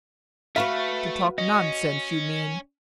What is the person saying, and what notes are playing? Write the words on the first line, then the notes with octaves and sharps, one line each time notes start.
"To talk nonsense, you mean."
A3 F#4 B4 E5 F5 B5 C#6
C#4 D#5